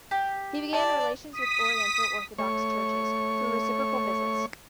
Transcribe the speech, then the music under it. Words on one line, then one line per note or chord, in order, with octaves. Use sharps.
He began relations with Oriental Orthodox churches, through reciprocal visits.
G4
D5 A5
D#6 B6
A3 C#5 C#6